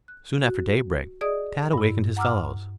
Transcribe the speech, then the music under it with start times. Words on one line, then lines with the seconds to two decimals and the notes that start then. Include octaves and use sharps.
Soon after daybreak, Tad awakened his fellows.
0.08 F#6
0.43 F#4
1.21 G#4 D5 D#5 D#6
1.73 G2 E4
2.17 F#5 A#5 D6 E6 F6